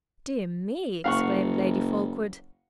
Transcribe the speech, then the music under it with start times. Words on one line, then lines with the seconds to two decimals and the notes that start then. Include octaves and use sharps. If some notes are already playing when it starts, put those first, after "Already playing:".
"Dear me!" exclaimed Lady Fulkeward.
1.04 F#1 F5 F#5 C#6